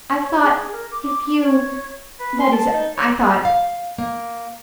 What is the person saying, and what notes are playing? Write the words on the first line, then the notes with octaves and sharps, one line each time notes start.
I thought if you ... that is I thought ...
C#5
G#4
A#4
D6
C#5
B4
C6
A5
D#4
C#5
F5
A#3